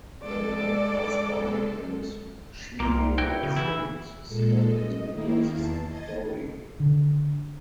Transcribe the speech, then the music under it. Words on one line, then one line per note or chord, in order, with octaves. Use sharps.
The night passed by, and Scheherazade stopped in the middle of the story.
G#3 A4 D5
C2 A#3 F4
E4 F#4 G5
C#3
E3 E4
A#2 G#3 A4
D#5
D#3 A#3 E4
E2 A5 C7
D#5 G#6 A6
D3